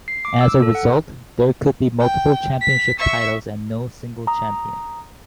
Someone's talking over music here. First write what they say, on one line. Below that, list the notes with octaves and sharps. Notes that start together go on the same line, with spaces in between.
As a result, there could be multiple championship titles and no single champion.
C7
D6
E6
A4
F#5
G5
B6
E5 C#6
A#5 D#6